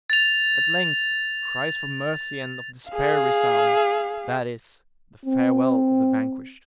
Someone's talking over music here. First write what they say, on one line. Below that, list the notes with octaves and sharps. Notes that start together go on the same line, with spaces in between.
At length cries for mercy and of despair resound; that is, the farewell of the vanquished.
A6 F7
G#4 F5
C4